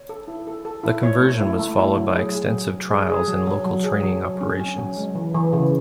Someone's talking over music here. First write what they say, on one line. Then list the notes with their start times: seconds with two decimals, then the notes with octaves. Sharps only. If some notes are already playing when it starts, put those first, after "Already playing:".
The conversion was followed by extensive trials and local training operations.
Already playing: C#5
0.09 A4
0.28 E4
0.47 A4
0.65 A4
0.84 E4
1.03 C#5
1.21 A3
1.40 E4
1.59 A3
1.78 E4
1.97 F#3
2.16 G#4
2.35 G#4
2.52 F#3
2.72 F#3
2.91 G#4
3.10 G#4
3.28 F#3
3.47 F#3
3.65 F#3
3.84 G#4
4.03 F#3
4.21 F#3
4.41 C#4
4.60 C#4
4.78 F#3
4.97 G#3
5.15 E3
5.34 E3
5.53 C#3